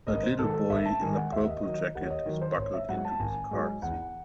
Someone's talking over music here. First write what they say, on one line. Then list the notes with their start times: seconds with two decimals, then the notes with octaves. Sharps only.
A little boy in a purple jacket is buckled into his car seat.
0.07 G#1 D#5
0.23 C5
0.38 G#2 D#3 A4
0.54 A4
0.70 G#1 E5
0.85 A5
1.01 G#2 D#3 G#5
1.16 F#5
1.32 D#2 E5
1.48 D#5
1.63 D#3 F#3 D#5
1.95 D#2 F#5
2.03 C#5
2.10 D#5
2.26 D#3 F#3
2.41 C5
2.57 G#1 C#5
2.73 E5
2.89 G#2 F#3 F#5
3.04 A5
3.20 G#1 G#5
3.51 G#2 F#3
3.82 E2 F#5